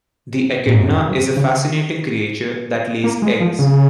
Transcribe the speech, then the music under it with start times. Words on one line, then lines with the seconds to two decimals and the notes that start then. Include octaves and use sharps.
The echidna is a fascinating creature that lays eggs.
0.67 A#2
0.74 G#2
0.81 F#2
1.09 F#2
1.37 C#3
3.04 A#3
3.22 G#3
3.40 F3
3.59 C#3